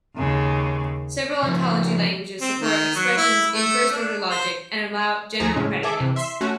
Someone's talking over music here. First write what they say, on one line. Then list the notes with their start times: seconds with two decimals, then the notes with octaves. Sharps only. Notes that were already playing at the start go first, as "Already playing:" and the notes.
Several ontology languages support expressions in first-order logic and allow general predicates.
0.16 D#2 C#3
1.43 C#3 F3
2.41 C4
2.60 D#3
2.96 F#3
3.17 E4
3.53 A3
3.91 D4
4.30 C5
5.40 D#2 F3 G#4 A#5
5.56 A2 C#3 G#3 C#4
5.83 G#4 A4 E5 D6
5.99 C3 E3
6.16 E5 C6
6.41 A3 C#4 F#4